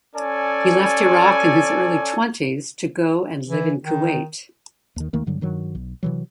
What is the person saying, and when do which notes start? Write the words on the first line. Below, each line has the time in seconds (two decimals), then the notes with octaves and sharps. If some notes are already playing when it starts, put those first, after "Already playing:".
He left Iraq in his early twenties to go and live in Kuwait.
0.16 C#4 A4 D5 G#5
3.49 E3
3.83 D#3
4.96 D#2 D#3
5.13 D#2 D#3 A3 A#3
5.26 G2 D3 F#3 G3
5.41 G2 D#3 F#3
5.75 B1
6.03 C3 E3 F#3